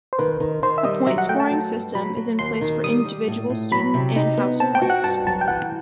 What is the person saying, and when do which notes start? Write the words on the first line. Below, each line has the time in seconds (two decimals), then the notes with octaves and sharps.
A point scoring system is in place for individual student and House points.
0.13 C5
0.19 D#3 B4
0.40 D#3
0.63 D#3 C5
0.78 E5
0.84 G3 D#5
1.07 F#3 E5
1.18 F#5
1.29 A3 G5
1.40 A5
1.51 F#3
1.72 G2
1.95 F#3 B5
2.17 F#3
2.39 D#2 C6
2.61 D#3
2.84 G3 D#6
3.05 G3
3.28 A2
3.50 A2
3.72 F#3 B5
3.94 C3
4.16 D#4
4.38 B3
4.60 C4 A5
4.75 G5
4.82 F#4
4.90 F#5
5.04 G2 A5
5.27 F#3 A5
5.41 G5
5.48 E3 F#5